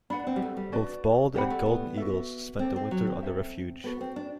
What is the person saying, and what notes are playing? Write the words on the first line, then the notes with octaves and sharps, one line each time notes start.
Both bald and golden eagles spend the winter on the refuge.
D4 B4 F#5 B5
C4
G3
A3
G3
D4 F#4 B4 D5 A5
C4 G4 D5 F#5 B5
A3
B3
F#4 A4 E5
C4 D4 A4 D5
C4
F#3
C4
A4 C5 E5
B3 F#4 A4 C5
C4
D4